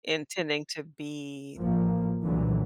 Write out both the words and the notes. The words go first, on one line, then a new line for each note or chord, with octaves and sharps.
intending to be
A1 A2 F3 A#3
C2 A#2 D3 E3 F#3